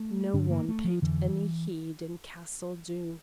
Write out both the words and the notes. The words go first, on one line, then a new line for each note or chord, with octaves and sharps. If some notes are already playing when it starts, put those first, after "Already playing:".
No one paid any heed in Castle Doom.
Already playing: A3
G2 D3 D4
A#3
A3
F3
F2 D3 E3